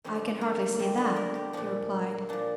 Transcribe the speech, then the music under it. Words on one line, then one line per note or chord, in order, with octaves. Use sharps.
"I can hardly say that," he replied.
F2 D3 G3 C4
A#3
F2 D3 G3 C4
D4
A#4
G4
A#2 F3 D4
A#2 F3 D4